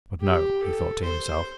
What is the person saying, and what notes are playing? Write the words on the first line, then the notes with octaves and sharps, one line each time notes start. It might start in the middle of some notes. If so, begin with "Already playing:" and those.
'But no,' he thought to himself.
G4
A4
C5